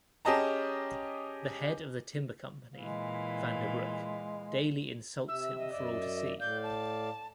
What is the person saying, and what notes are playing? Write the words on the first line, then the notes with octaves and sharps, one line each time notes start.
The head of the timber company, Vanderbrouck, daily insults him for all to see.
C#4 G4 G#4 D#5 A5 A#5
A#2 E3 G#3 F5
C3 E5 E6
D#5
F#2 D5 E5
A2 D5 F5 G6
A5